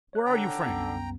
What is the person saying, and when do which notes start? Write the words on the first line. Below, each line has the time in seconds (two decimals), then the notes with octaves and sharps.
Where are you, Frank?
0.13 C#5 F#6
0.26 D3 G5 A#5
0.66 C2 F#2 B3